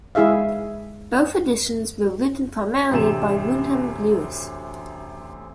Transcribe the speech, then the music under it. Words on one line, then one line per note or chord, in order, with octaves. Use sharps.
Both editions were written primarily by Wyndham Lewis.
G#3 E4 G#4 E5 F5
A1 D2 C3 C4 E7